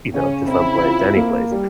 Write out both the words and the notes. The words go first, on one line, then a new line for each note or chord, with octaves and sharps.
you know, to someplace, to anyplace.
C#3 C#4
C4 E4
F4
A#3
G3